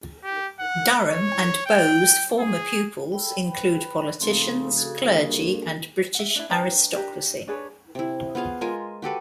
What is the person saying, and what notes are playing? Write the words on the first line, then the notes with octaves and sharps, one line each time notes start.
Durham and Bow's former pupils include politicians, clergy and British aristocracy.
G4
F#5
C#5
G5
G#4
A4 G5 B5
B4
F1 C#3 A4 C6
F#4 G#4 A4
G2 A#3
E5 F#5
D4 E4
D4 B4 G5 A#5
D4 G4 A#4
D4 G#4 B4 C#5
C3 E4
B3 F4 G#4 F5
G#3 F4 A#4 G#5
F#4 G4 A4 B4